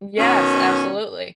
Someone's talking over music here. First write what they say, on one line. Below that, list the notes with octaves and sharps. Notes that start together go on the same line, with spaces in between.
Yes, absolutely.
B2 D#3 C#4